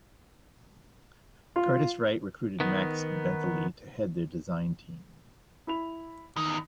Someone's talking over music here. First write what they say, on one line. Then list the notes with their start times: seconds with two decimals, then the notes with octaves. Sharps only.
Curtiss-Wright recruited Max Bentele to head their design team.
1.56 F4
2.60 D#3 B3
5.67 E4 B5 F7
6.36 E2 D#3 D#4